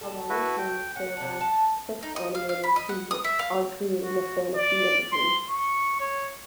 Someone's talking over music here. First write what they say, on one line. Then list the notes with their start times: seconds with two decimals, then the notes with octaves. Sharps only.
Along with Hayes, there were six animators who worked on creating the fantasy imagery.
0.01 A4
0.30 E4 F#4 B4
0.58 G5
0.96 C#4 F#5
1.17 C3 D4
1.41 A5
2.03 D#4
2.16 D#5
2.35 F5
2.49 F5
2.64 B5
2.76 D#5
2.89 F#5
3.11 D#6
3.24 E5
3.39 F5
4.02 F#4
4.56 D5
5.12 C6
5.49 C#6
6.00 C#5